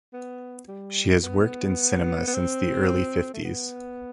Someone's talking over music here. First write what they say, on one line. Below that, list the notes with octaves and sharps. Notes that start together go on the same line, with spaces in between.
She has worked in cinema since the early fifties.
B3
G3
B3
B3
C4
A3
B3